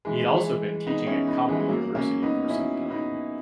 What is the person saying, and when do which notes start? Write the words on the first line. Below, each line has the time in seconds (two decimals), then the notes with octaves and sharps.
He has also been teaching at Kabul University for some time.
0.05 E3 G#3
0.33 E3
0.86 B3 D#4
1.07 C#4 E4
1.27 B3 D#4
1.48 E3 G#3
1.68 F#3 A#3
1.95 A#3 C#4
2.22 B3 D#4
2.49 C#4 E4
2.90 B3 D#4